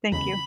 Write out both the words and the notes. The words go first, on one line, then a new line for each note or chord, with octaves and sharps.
Thank you.
E2 C#3 G#3 B5